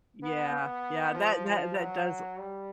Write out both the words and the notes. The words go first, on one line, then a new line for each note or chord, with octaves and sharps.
Yeah, yeah, that that that does
B3
B3
F3
F3
F#3
G3